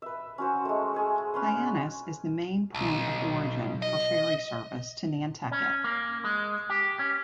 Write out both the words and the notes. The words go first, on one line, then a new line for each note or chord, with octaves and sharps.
Hyannis is the main point of origin for ferry service to Nantucket.
B4 E5
C#4 F#4 C5
G#3 A3
G#4 C5
C#4 B4 C6
B1
D#5
C#4
A#3
G#3
G4
C#4